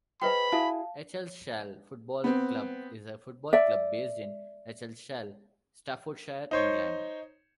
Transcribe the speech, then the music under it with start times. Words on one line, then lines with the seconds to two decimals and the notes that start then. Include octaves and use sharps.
Eccleshall Football Club is a football club based in Eccleshall, Staffordshire, England.
0.22 G#4 B4 C5 D#5 G5 A5 B5
0.52 E4 F#4 G#4 F5 A5
2.24 B3 C4
3.53 D5 E5
6.51 D#4 C5 C#5